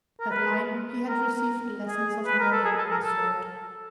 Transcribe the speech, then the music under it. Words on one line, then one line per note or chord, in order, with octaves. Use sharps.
At Lyme, he had received lessons of more than one sort.
A#4
B4
A#4
G#4
B4
A#4
A4
G#4
A4
A#4
A4